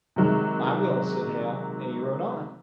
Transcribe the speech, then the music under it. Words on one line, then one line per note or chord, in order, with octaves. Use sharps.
"I will," said Hale, and he rode on.
C3 D#3 F#3 G#3